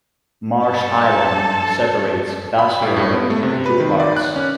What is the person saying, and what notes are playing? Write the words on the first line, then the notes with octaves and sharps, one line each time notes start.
Marsh Island separates Bass River into two parts.
G2 A4 A5
B5
A2
G2
B3
A3
C3
B4
D#3
D5
F#6
C#4